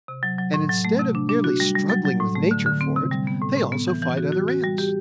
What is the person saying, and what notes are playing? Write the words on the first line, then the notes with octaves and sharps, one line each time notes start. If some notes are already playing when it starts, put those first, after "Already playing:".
And instead of merely struggling with Nature for it, they also fight other ants.
C3
F#3
F#3
A2
F#3
A3
C3
D4
D4
F#4
G3
G3
F#3
F#3
A2
A3
D3
D3
C4
C3
G3
B3
A2
A2
B3
E3
E3
F#4
F#4
F#4
G3
G4